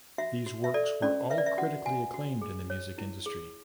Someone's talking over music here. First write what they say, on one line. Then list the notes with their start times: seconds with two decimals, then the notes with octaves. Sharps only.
These works were all critically acclaimed in the music industry.
0.18 F#4 E5
0.46 F#4
0.64 E5
0.74 A4 D5
1.02 C#4 D5
1.30 B4 E5
1.38 D5
1.46 E5
1.58 F#4 F#5
1.86 F#4 G#5
2.14 F#4
2.41 G#4
2.70 C#5
2.98 E4
3.26 G#4